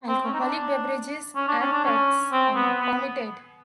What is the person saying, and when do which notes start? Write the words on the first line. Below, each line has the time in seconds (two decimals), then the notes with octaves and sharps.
Alcoholic beverages and pets are not permitted.
0.08 C4
0.25 C#4
0.34 D#4
0.40 D4
1.36 C#4
1.48 D4
1.60 C#4
1.73 D4
1.85 C#4
2.32 C4
2.55 B3
2.80 B3